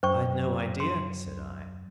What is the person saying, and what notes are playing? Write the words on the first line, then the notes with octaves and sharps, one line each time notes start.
"I'd no idea," said I.
F#2 C5 G5 C#6
C6